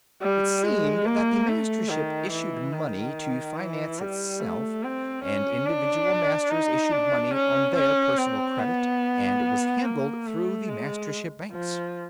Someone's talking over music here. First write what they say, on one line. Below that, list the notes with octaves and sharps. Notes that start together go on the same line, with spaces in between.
It seemed that the Mastership issued money to finance itself, and individual Masters issued money on their personal credit, and it was handled through the Mastership Banks.
G3
G#3
A#3
A3
D#3
E3
D#3
E3
G3
A3
C4
C#4
D4
D#4
D4
C#4
C#4
C4
B3
A#3
A3
G#3
F3